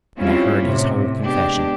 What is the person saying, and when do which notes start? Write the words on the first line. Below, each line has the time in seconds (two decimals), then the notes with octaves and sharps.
And I heard his whole confession.
0.17 G3 G#3 C4 C#4 E4 F4
0.61 A2 C3
1.21 G#3 B3 D4 G4